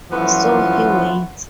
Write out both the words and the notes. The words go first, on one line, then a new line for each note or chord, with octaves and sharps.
So he waits.
F#2 E3 F3 A3 B3 F4